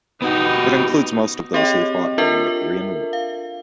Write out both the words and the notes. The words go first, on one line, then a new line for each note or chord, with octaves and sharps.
It includes most of those who fought during the Korean War.
B3 D#4 F#4 G4
C4 G4 G#4 C#5 D#5 G5
D4 F4 A4 A#4 E5
F5